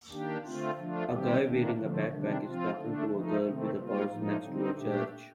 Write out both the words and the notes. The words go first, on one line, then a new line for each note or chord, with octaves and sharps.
A guy wearing a backpack is talking to a girl with a purse next to a church.
D#3 A#3 D4 G4
D3 A3 C4 F4
F3 A3 D4 F4
C3 D#3 G3 C4 G4
C3 D#3 A#3 D4
D3 F3 A3
C3 D#3 G3 D4
F3 C4 F4
D3 A3 D4
F3 A3 D#4
C3 D#3 A3 C4
G3 A#3 F4
A2 F3 A#3 D#4
D3 G3 C4 D#4
A#2 A3 D4 G4